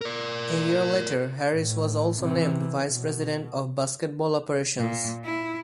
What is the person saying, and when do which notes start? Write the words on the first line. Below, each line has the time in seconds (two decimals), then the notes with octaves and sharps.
A year later Harris was also named Vice President of Basketball Operations.
0.01 A#4 D5
1.54 A2
2.19 C3 E3
2.88 B2
4.77 A#2
5.25 E4